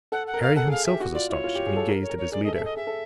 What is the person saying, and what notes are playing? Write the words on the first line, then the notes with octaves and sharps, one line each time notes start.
Harry himself was astonished, and he gazed at his leader.
A4 F#5
F#5
A#4
F5
A4 F#5
G#4 F5
G4 E5
F#4
F4 D5
E4 C#5 D5
F4
G4
G#4
A4
A#4
C#5
A#4
C#5
G#4 D5
A4 D#5
E5
A4 D#5
G#4 E5
A4